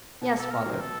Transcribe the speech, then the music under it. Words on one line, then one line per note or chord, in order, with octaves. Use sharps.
"Yes, father."
B2
A4
A#4
F#3 A#4
A4